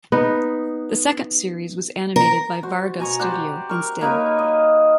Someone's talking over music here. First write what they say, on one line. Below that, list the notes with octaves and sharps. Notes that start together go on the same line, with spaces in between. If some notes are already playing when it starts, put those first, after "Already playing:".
The second series was animated by Varga Studio instead.
B3 D#4
A#4
F#4 C5
B2 G#5 A#5 C#6
G4 C5 D5 F#5
A#4 C#6
A#3 D#4 B4 C#5
D#5